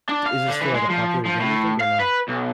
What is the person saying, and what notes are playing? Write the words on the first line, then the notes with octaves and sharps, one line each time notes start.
Is this still, like, a popular game, you think, or no?
D4
F5
D3
E3
G#3
F3
F3
A2
F5
B4
B1